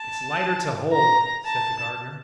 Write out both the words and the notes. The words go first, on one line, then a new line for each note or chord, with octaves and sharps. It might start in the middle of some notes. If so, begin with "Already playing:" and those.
"It's lighter to hold," said the Gardener.
Already playing: A5
A#5
A5